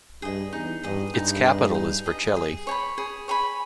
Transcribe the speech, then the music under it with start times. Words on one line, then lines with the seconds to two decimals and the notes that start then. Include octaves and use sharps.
Its capital is Vercelli.
0.22 G2 G#4 D#5
0.52 E2 D#4
0.83 G2 G#4 D#5
1.14 G2 D#4
1.44 G#4 D#5
1.74 D#4
2.06 G#4 D#5
2.36 G#4
2.67 C#5 G#5
2.71 B5
2.98 G#4
3.28 C#5 G#5 B5